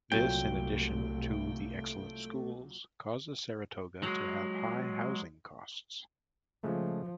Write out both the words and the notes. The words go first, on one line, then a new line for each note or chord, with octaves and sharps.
This, in addition to the excellent schools, causes Saratoga to have high housing costs.
C2 A#2 F#3 A3 G5
F#3 G#3
C#3 F3 G#3 A3